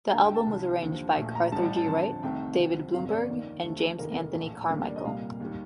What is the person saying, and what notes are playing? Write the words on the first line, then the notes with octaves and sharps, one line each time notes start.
The album was arranged by Arthur G. Wright, David Blumberg and James Anthony Carmichael.
D2 D3 A3 F5
G5
A5
C2 C3 D#3
D#2 D3 F3
A#1 A#2 A3
A#5
A1 A2 G3 A5
A5
A5
F2 D3 F3 A5
C2 C3 D#3 A3 G5
C2 C3 F3
G1 F2 C3 F5
D5
F2 D#3 A#3
D#2 D3 F3 A3
F1 D#2 D#3 A#3 A#4
A#1 A2 A3
F1 D#2 D3 G3 A#3 A#4
D5
D#5
C2 A#2 G3 A#3 F5
D#2 D#3 G3